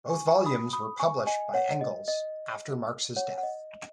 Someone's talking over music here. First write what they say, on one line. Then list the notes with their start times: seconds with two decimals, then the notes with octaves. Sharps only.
Both volumes were published by Engels after Marx's death.
0.09 G#5 C#6
0.28 G#5 C#6
0.46 B5 D#6
0.73 B5 D#6
1.00 G#5 C#6
1.27 D#5 G#5
1.54 C#5 F#5
1.81 D#5
2.08 D#5
3.16 C#5 F#5
3.38 F#5
3.43 D#5